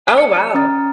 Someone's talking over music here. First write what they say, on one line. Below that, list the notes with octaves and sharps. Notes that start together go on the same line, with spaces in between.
Oh, wow.
C#7
C#4 A#5 D#6 F6 A6